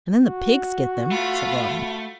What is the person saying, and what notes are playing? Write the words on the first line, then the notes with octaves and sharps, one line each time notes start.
"And then the pigs get them," said Robin.
F#4
A3 F4 B5